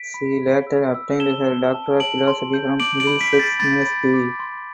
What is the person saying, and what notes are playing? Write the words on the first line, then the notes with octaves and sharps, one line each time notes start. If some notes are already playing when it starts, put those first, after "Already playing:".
She later obtained her Doctor of Philosophy from Middlesex University.
Already playing: B6 D7
B5
B5
E6
E6
A5 E7 G7
C6
A5
A5 D7 F#7
C6
G6
D6 D7 F#7
D7 F#7
B5
B6 D7
G6
A6
B5 A6
B5
D6
C6